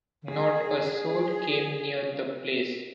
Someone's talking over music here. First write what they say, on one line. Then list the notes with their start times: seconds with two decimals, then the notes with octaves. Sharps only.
Not a soul came near the place.
0.29 G#4
0.85 G#4